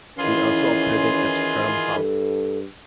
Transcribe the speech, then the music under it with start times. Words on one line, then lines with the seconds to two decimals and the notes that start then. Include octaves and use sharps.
He also operated at scrum-half.
0.18 D#3 E3 C#4 E4 F4 G#4 B4 C6
1.94 G2 A4